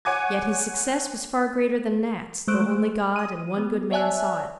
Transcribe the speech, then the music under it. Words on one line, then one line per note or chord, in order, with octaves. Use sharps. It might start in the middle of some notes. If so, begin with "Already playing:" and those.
Yet his success was far greater than Nat's, though only God and one good man saw it.
C#5 F#5 G#5 D6 G#6
G#3 A3 C5 F#6 D7
D#6 D#7
G3 B3
C#5 D5 E5 G#5 A5 F#6